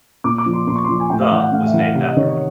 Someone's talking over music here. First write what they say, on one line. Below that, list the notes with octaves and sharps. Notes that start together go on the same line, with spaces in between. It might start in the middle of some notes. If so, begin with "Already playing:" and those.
The was named after him.
A#2 D6
D6
F3
C6
A#2 C6
C#6
F3 C6
G#5
A2 G5
F5
E3 F#5
F#5
A2 F5
E5
E3 F#5
F5
C3 F#5
D#5
D#3 C#5
C#5